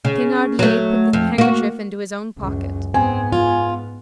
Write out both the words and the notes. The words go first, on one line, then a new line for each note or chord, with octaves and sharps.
Thenardier put the handkerchief into his own pocket.
C#3
F#3 A3
F2
A#3 F#4
C#2 F#2
G#2 B3 C4 G#5
F4